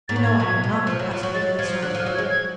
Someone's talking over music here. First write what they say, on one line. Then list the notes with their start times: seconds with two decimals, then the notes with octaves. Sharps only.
You know I am not accustomed to this sort of thing.
0.08 G#2 A6
0.16 A2
0.24 G#6
0.40 B2
0.64 B2
0.87 F3
0.99 F#3
1.11 F3
1.23 F#3
1.34 G#3 A6
1.59 F3 G#6
1.82 D3 F#6
1.95 F3 F6
2.06 F#3
2.15 G#6
2.18 G#3
2.30 G#6